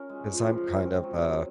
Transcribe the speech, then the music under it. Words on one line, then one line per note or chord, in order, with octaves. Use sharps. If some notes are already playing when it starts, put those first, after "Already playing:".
'cause I'm kind of a
Already playing: C#4 A#4
G#3
F3
F4
C#3
C4
F#3
F#3